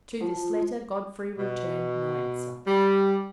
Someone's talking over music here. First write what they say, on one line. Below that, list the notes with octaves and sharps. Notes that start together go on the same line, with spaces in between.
To this letter Godfrey returned no answer.
F3
B2
G3